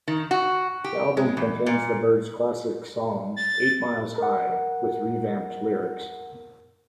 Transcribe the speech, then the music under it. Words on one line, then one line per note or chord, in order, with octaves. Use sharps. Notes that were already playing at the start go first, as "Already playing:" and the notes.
The album contains the Byrds classic song "Eight Miles High", with revamped lyrics.
D#3
F#4
G4
G#3
E2
A#2
A6
A#4 F#5